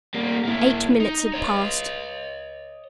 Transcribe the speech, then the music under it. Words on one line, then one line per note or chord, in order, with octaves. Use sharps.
Eight minutes had passed.
G3 A#3
A#3 E4
D#4
C#5 D#5